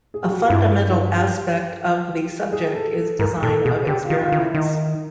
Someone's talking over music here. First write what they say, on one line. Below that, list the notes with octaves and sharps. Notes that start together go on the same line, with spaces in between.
A fundamental aspect of the subject is design of experiments.
G#4
G4
F#4
F4
G2 E4
E4
G4
G#4
A4
A4
G#2 A#4
A#2 A4
B2 G#4
D3 G4
F4
D#3
F4
D#3
E4
D#3 D#4